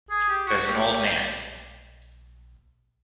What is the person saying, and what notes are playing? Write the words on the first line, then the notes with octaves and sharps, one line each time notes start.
There's an old man.
G#4
G4
F#4
G4